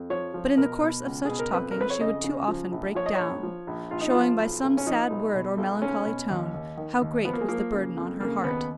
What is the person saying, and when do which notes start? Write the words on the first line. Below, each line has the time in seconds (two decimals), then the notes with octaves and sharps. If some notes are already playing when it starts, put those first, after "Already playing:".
But in the course of such talking she would too often break down, showing by some sad word or melancholy tone how great was the burden on her heart.
Already playing: F2
0.10 F3 C#5
0.34 F3
0.57 B2 A#4
0.81 B2
1.05 C#2
1.25 B2 G#4
1.39 A#4
1.53 F2 B4
1.71 A#4
1.76 F2 B4
1.90 C#5
2.00 C#3 D#5
2.24 C#3
2.48 F3
2.72 A#1
2.95 F3 C#5
3.06 D#5
3.15 A#1 C#5
3.43 F3
3.67 A#1
3.91 A#1 F4
4.00 D#4
4.10 F3 F4
4.39 B1
4.63 B1
4.77 C#4
4.86 F3 D#4
5.10 B1
5.34 B2
5.58 B1
5.82 B1 C#4
6.05 B2
6.30 D#2
6.54 D#2
6.77 D#3
7.01 D#2
7.24 F3 B3
7.33 A#3
7.41 G#3
7.48 F3 A#3
7.73 C#3
7.96 F2
8.20 C#3 A#3
8.44 D#2 B3